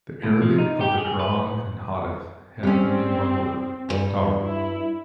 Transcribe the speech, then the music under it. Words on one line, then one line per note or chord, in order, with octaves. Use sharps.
The Arabic of the Quran and hadith have only one word, "Tawrat".
A2
F3
D#4
G4
G#4
B4
G3 C4 C#4
D2 G2
E4